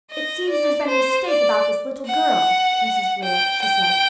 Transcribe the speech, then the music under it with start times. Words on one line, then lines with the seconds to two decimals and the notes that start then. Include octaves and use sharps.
"It seems there's been a mistake about this little girl, Mrs. Blewett," she said.
0.11 D#5
0.50 D5
0.88 C5
1.28 D5
2.06 F#5
3.23 G5
3.63 G5